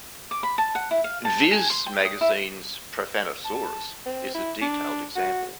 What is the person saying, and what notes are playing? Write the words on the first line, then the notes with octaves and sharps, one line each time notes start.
Viz magazine's Profanisaurus is a detailed example.
D6
B5
A5
F#5
E4
F5
A5
G#5
C6
G5
D#6
E4
A5
C4
E4
D4
F#4